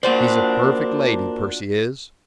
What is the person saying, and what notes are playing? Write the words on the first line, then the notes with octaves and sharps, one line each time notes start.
He's a perfect lady, Percy is.
A#3 D4 F4 F#4 C5